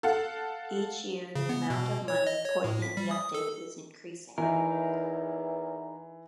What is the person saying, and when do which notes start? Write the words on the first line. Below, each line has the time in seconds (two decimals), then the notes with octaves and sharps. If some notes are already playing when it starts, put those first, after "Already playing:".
Each year the amount of money put in the update is increasing.
0.03 A4 F5 F#5
1.35 C#3
1.49 B3
1.70 B2
2.08 C#5
2.27 D#5
2.45 C#5
2.64 A2
2.82 B6
2.97 G3
3.11 D#6
3.34 A4
4.38 E2 E3 D#4 A#4